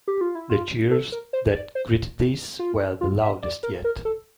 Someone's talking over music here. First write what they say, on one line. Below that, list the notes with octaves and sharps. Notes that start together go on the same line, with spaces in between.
The cheers that greeted this were the loudest yet.
G4
F4
E4
F4
A4
A#4
C5
D5
C5
F4
F4
E5
D5
A#4
A#4
A4